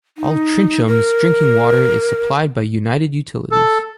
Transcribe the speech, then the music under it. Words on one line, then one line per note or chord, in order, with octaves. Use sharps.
Altrincham's drinking water is supplied by United Utilities.
D#4
A#4
A4